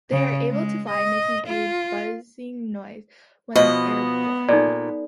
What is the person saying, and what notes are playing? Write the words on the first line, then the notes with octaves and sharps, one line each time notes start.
They are able to fly, making a buzzing noise when airborne.
C#3
G#3
D#5
F4
B2 F3 B3 B4 D#5
A#2 D#4 A4 D5